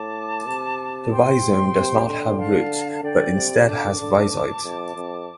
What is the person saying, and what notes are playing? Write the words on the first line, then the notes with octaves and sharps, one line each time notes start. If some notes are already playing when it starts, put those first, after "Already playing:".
The rhizome does not have roots but instead has rhizoids.
Already playing: A2 A5 D6
C3
G5 C6
C3
D3
F5 A5
D3 D5 G5
C3
D3 A5 D6
D3
F2
F2